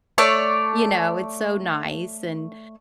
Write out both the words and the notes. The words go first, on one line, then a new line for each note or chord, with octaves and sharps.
you know, it's so nice, and,
A3 C#5 D5 A5